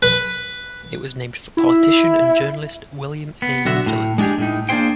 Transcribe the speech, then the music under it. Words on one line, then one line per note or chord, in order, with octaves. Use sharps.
It was named for politician and journalist William A. Phillips.
B4
E4
B3
B1 D3 F#4 E5
A2
G#3 D4 F4 G4 G#4
A2 D#4
A#3 D4 G4 G#4 C5 G5